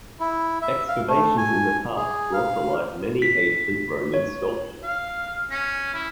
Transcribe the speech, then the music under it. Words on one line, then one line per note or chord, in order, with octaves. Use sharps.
Excavations in the park brought to light many ancient Roman sculptures.
E4
E5
F5
A3
G#5
G#4
F5
B6
C#5
F5
C#4
E4